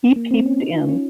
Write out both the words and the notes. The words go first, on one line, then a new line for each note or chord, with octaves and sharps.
He peeped in.
A#3
C4
C#4
D#4
F4
C#4